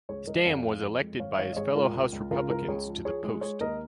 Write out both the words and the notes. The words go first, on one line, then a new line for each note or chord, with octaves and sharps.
Stam was elected by his fellow House Republicans to the post.
C#2 G#4 C#5
C#2 A#4 D#5
F2 C#5 F5
F2
F2
G#3
G#1 C#5 F5
G#1 C#5 F5
D#5
G#1 G#4 C#5
G#3 F4 A#4
C#2
C#2
C#3 F4 A#4
C#2 F4 A#4
C#2 G#4 C#5
F3
F3 G#4 C#5
G#3 G#4
G#3 G#4 C#5
D#2 A#4 D#5